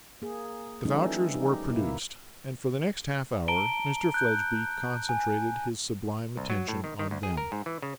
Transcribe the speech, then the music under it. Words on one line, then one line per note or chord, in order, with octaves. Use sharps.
The vouchers were produced, and for the next half-hour Mr Fledgeby concentrated his sublime attention on them.
A#3 G#4
E3 F3 G3 A3 C#4 D#4
D#4 G4
B2 A#3 E4
A5 A#5 D7 G7
F#6 G6
G#5
C2
F#3
A2
D#3
D#3
D2
G#4
A#4
G#2
E3
C#3